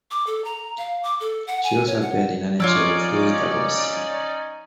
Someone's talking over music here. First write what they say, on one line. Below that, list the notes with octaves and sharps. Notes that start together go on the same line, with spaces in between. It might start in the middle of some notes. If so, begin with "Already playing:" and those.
She also appeared in an episode of Who's the Boss?
D6
A4
A#5
F5
D6
A4
F#5
G#5
C#5
F#5
F3 C#4 D#4 F4 C#5 D5 E6